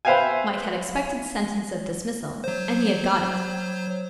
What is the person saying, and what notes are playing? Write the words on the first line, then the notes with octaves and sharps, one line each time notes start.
Mike had expected sentence of dismissal, and he had got it.
B4 C5 E5 F5 G5 G#5
F#3 C5